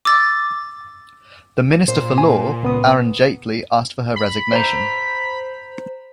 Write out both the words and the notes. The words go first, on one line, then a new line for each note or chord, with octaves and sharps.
The Minister for Law, Arun Jaitley asked for her resignation.
D6 E6 A6
A#2 C5
G#5
C#2 B3 D#6
B5
C5 A#5